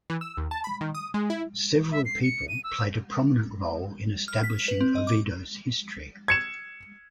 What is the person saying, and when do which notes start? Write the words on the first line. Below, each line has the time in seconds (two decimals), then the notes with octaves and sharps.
Several people played a prominent role in establishing Oviedo's history.
0.10 E3
0.21 E6
0.37 D#2
0.51 A5
0.64 B5
0.81 D#3
0.95 D#6
1.14 G#3
1.30 E4
1.92 E5
2.05 C7
2.23 C#7
2.49 D#7
2.64 E6
4.28 F6
4.44 B6
4.68 B4
4.81 C4
4.95 D#5
5.07 D6
6.28 G#6 C#7 E7